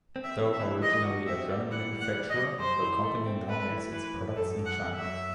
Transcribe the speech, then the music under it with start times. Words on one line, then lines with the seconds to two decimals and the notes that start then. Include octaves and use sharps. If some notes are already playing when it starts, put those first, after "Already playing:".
Though originally a German manufacturer, the company now makes its products in China.
0.16 C4
0.24 E5
0.38 E3
0.53 E5
0.61 E3
0.82 G3 D#5
1.04 F#4
1.27 C4 E5
1.49 G3
1.71 E3 F#5
1.93 G3
2.01 F#5
2.15 G3
2.30 D#5
2.37 G3
2.59 F#2 C5
2.81 E3
3.04 A3
3.26 C4
3.48 A3 B4
3.70 E3
3.92 E3 B4
4.14 F#2
4.36 F#2 A4
4.58 F#2
4.65 F#5
4.80 F#2
4.96 E5
5.03 F#2